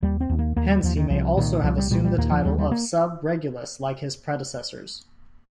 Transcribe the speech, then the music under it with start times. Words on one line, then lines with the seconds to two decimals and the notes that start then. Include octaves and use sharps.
Hence he may have also assumed the title of "subregulus" like his predecessors.
0.02 D#2 G3
0.21 C4
0.29 D#2
0.39 A#3
0.56 D#2 A#3
0.70 G3
0.83 D#2 F3
0.97 D#3
1.10 C2 F3
1.37 A#2 D#3
1.64 C2 F3
1.78 G3
1.91 A#2 G3
2.04 G3
2.18 D#2 A#3
2.31 F3
2.45 D#2 G3
2.58 G3
2.71 A#3